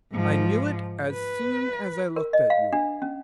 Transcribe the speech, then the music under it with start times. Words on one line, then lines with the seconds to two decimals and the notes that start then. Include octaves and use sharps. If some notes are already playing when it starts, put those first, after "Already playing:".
"I knew it as soon as I looked at you."
0.12 G#2 F3
1.13 B4
2.16 A#4
2.33 D#5
2.50 F5
2.73 D4
3.02 C#4